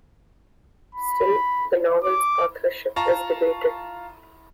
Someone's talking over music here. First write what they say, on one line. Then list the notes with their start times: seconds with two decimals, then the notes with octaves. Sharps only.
Still, the novel's authorship is debated.
0.95 B5
2.04 D6
2.96 F4 A5 A#5 C#6